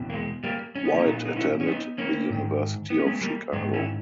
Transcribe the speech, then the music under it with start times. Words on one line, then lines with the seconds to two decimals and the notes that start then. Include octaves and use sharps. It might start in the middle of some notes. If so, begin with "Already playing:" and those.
White attended the University of Chicago.
Already playing: E2 B2
0.10 A#3
0.14 G#3
0.44 G3 A#3
0.76 C#4
0.85 B3
0.95 A#3 C#4
1.05 A#2 B3 D#4
1.26 D#4
1.36 C#4 E4
1.61 C#4
1.67 B3 D#4
1.98 A#3 C#4
2.30 G#2 D#3
2.90 B3
2.99 C#4
3.06 G#3 B3
3.21 G3 A#3
3.53 G#2 G#3
3.56 D#3
3.73 C#4 E4